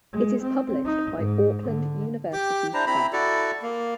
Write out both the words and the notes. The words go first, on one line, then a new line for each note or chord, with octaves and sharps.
It is published by Auckland University Press.
G#3
C4
D#4
G#2
D3
G4 G5 D6
D4 E4 C5 A#5
C4 E4 A#5 B5
E4 F#4 A4 D5
A#3